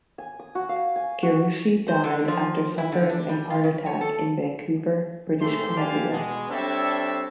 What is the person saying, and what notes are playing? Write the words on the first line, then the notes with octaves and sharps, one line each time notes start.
Gerussi died after suffering a heart attack in Vancouver, British Columbia.
G#5
D#6
F#4
F5
G#5
F#4
C5
D3
F3
E4
D3
D4
G3
F4
C#3
C#5
A4
G#2 C3 A3 G4 A4 C6
D3 G4 D5 F5 G#5 A5
B2 G#3
G3 C4 D4 A4 C#5 E5